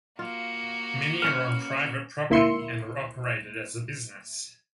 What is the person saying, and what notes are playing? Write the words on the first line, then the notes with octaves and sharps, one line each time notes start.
Many are on private property and are operated as a business.
A#3 F4 F#4
C#4 B4 F6 C#7
D2 A#3 E4 E5 C6 C#7